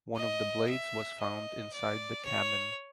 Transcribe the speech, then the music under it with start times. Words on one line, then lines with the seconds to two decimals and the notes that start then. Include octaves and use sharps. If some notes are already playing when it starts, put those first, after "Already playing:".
One of the blades was found inside the cabin.
0.16 D#5
0.69 E5
1.20 D#5
1.73 D5
2.25 C#5